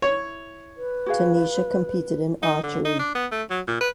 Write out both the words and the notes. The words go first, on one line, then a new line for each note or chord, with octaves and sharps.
Tunisia competed in archery.
E4 C#5
B4
F#4 G#4 F5
D#4
D3
D#4
D4
B3
A3
F#3
A#2
B4